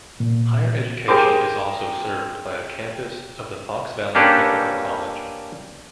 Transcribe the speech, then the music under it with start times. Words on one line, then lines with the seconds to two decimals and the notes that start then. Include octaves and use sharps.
Higher education is also served by a campus of the Fox Valley Technical College.
0.20 A#2
1.08 G4 G#4 A#4 C5 C6 D6
4.15 A#3 C#4 D4 G4 A4 B4